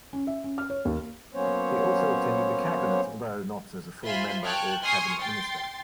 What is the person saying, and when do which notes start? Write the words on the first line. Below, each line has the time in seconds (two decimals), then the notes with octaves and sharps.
He also attended the Cabinet, although not as a full member or Cabinet Minister.
0.13 C#4
0.27 E5
0.44 C#4
0.58 F6
0.70 C#5
0.85 D#2
1.34 F#3 A#3 B3 C#4 C5 C#5
4.04 F4 C5 E5 G#5 B5 C6
4.43 G5 A5 C#6 F6 F#6 G#6
4.82 G#5 C6 C#6 D#6 F6 C7
5.20 G5 C6 A6